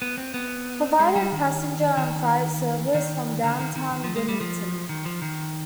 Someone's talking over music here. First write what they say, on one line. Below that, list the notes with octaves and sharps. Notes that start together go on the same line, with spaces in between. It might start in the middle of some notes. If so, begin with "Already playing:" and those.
Provided passenger and freight service from downtown Wilmington.
B3
C4
B3
G#3
G3
D#3
D#3
D#3
D3
D#3
D#3
D#3
F3
G#3
G3
F3
D#3
F3
D#3